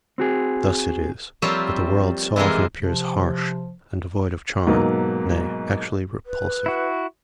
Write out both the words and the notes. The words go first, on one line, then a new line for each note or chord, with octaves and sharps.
Thus it is that the world so often appears harsh and devoid of charm, nay, actually repulsive.
C4 F#4 G#4
F3 G3 A#3 C4 C#5 E5
C3 E3 F3 G#3 A#4
C3 F3
G#2 B2 F#3 A#3
B4
E4 F#4